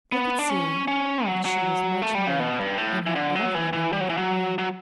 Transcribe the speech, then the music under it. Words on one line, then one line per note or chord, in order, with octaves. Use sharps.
They could see that she was much moved, and had evidently been crying.
B3
D4
C#4
C#4
F#3
F#3
A3
G3
C#3
B2
G2
A2
E3
D3
F#3
E3
E3
G3
F#3
E3
F#3
F#3